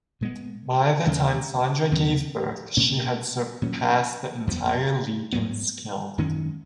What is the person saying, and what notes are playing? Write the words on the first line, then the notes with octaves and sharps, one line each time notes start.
By the time Sandra gave birth she had surpassed the entire League in skill.
A#2 G#3 B3
D#2 C#3 G#3
D#2 C#3 F#3 B3
B2 A#3 C#4
A#2 F#3 C#4
F2 F3 B3
G#2 F#3 B3
F#2 D#3 G#3 C#4